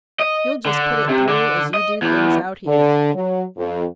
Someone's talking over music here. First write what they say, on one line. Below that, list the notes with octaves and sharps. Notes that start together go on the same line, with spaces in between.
You'll just put it through, as you do things out here.
D#5
D3
C3
D3
D#5
E2
D3
F#3
F2